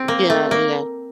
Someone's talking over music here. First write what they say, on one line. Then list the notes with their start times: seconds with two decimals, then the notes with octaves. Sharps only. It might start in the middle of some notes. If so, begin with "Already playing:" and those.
Yeah, yeah.
Already playing: C4
0.08 A#3
0.30 A3
0.51 A#3